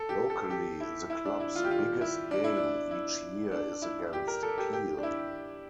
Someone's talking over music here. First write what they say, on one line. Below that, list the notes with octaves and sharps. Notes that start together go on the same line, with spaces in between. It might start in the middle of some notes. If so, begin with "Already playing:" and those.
Locally, the clubs biggest game each year is against Peel.
Already playing: A4
G4
A4
G4
E4
E4
D4
E4
F4
G4
F4
E4
D4
E4
D4
E4
D4
E4
G4
A#4
A4
G4
G4
D4
E4